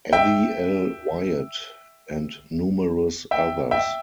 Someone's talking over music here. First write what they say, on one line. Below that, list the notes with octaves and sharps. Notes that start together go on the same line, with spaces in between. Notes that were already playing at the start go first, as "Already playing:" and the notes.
Addie L. Wyatt, and numerous others.
E5 G5
E5 G5
E5 G5